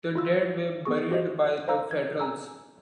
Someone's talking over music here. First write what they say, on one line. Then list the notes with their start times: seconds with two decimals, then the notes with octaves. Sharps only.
The dead were buried by the Federals.
0.15 E4 F4 E6
0.85 B3 G#4 C#6
1.11 F#4 G4 C5 D#5
1.68 C5 F5 A#5 E6
1.91 G#6
2.19 G#5 A#5 E6